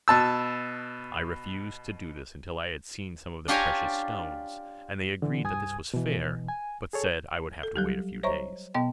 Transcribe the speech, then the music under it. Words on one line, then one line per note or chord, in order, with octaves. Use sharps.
I refused to do this until I had seen some of the precious stones, and they agreed that this was fair, but said I would have to wait a few days.
B2 A5 E6
D4 F4 G4 C#5 G#5 A#5
D3 E3
C2 G2 G#5 D#6 G#6
B2 E3
G#5
G#4 A4 C#5
A4
F#3 G3 G4
C5 C#5 D#5 E5 A#5 C#6
B2 B3 D#5 G5